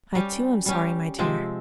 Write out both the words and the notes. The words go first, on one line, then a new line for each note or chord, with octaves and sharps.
'I too, am sorry, my dear.
G3 C#4 G4
G3 C#4 G4
C3 F3 G#3 C4